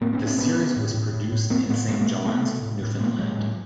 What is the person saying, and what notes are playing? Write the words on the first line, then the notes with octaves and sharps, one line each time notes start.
The series was produced in Saint John's, Newfoundland.
A2 A#3 C4
B3 C#4
A2
C4 D4
B2 B3 C#4
B2
A2
A2
A2
A2
A2 A#3 C4
A2 A3 B3
B2 A3 B3
G#3 A#3
B2
B2 A3 B3
B2
A2
A2
A#2 G#3 A#3
A#2 F#3 G#3
A2